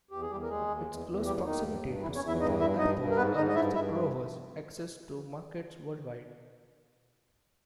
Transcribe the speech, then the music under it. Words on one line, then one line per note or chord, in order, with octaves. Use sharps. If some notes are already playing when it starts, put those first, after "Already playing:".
Its close proximity to Schiphol Airport allows the growers access to markets worldwide.
E2 G4
G#4
E2 G3 G4
A#4
D#2 G#3 G#4
D#2
E2
E2
D#2 G3 G4
D#2 D#3 D#4
G2
G2
E2 E3 E4
C#4 C#5
E2
E4 E5
G2 D#4 D#5
G2 E4 E5
G2 D#4 D#5
G2
A#4
G#2 B3 B4
G#2 D#4 D#5
D#5
G2 E4 E5
G2 E4 E5